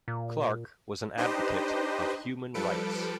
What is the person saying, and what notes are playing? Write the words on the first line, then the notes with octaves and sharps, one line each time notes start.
Clarke was an advocate of human rights.
A#2
D4 D#4 G4 B4 C5 D#5
F3 G3 A4 B4 C#7 D7